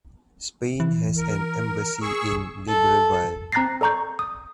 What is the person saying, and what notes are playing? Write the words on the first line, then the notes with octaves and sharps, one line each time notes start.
Spain has an embassy in Libreville.
E3
A#4
G#4 C#6 E6
A4
C4 A#5 F#6 A6 A#6 C7
A4 D5 A#5 C#6 G6
D#6